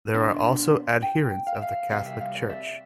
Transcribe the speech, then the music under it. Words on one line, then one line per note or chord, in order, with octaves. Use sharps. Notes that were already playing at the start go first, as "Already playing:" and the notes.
There are also adherents of the Catholic Church.
B2 B3 D4 C5
G5
F5
E5
F5
C2 C3 G3 F5
E5
F5
D5
E5